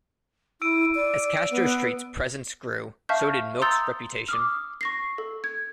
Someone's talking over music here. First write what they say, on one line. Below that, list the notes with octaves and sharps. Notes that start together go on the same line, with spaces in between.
As Castro Street's presence grew, so did Milk's reputation.
E4 E6 D7 D#7
D5
B3
E5 F5 A5 C#6 F6 G6
A#5 C6 D#6 E6 G6 A6
D6 D#6 F6
C#6 A#6 C7
A4
G#6